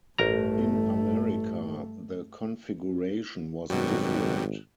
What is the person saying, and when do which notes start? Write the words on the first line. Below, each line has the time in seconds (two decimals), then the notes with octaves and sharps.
In America, the configuration was different.
0.18 A1 G2 A3 A#4 A#5
3.70 G#1 F#2 B2 F#3 G3